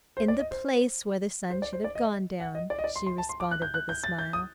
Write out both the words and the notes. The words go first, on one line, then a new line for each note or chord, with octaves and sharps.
"In the place where the sun should have gone down," she responded with a smile.
C5
D5
D#5
C5
C5
D5
C5
D5
D#5
F#5
D#5
D5
D#5
D5
C6
C6
A5
C6
D6
F#6
G6
F#6
G6
A6
G6
D#6